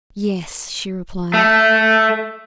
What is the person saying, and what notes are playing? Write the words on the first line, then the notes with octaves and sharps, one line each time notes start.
"Yes!" she replied.
A3